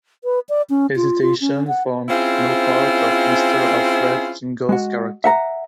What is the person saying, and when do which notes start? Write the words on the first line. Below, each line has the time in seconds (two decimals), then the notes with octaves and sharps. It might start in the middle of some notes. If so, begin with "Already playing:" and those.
Hesitation formed no part of Mr. Alfred Jingle’s character.
0.24 B4
0.49 D5
0.70 C#4
0.96 F4
1.22 F4
1.41 C#4
1.68 F#5
2.09 C4 C#4 E4 F4 G#4 C5
4.69 G#3 F#4
5.24 E5 F#5 A#5